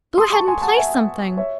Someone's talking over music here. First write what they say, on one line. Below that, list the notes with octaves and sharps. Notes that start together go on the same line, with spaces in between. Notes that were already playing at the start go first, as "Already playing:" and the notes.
"Go ahead and play something."
C6 D#6
A5 C#6
G#5 C6
F#5 A5
E5 G#5
C#5 E5